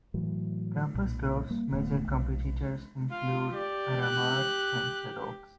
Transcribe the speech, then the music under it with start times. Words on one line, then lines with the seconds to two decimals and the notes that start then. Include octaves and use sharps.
Compass Group's major competitors include Aramark and Sodexo.
0.14 A2 E3 F#3
0.95 B1 A#2
1.50 G3 A#3
1.72 D1 D3 A3 B3
2.08 B1
3.12 F4 F5
3.54 G4 D5
4.02 F#6